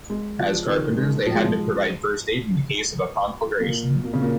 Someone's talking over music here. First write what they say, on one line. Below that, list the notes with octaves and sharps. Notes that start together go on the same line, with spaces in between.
As carpenters, they had to provide first aid in the case of a conflagration.
G#3
F3
D#3
G#3
F3
G#3
F3
A#2
A#2
C#3
A#2